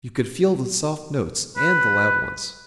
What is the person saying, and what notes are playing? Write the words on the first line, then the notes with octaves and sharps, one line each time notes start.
You could feel the soft notes and the loud ones.
B4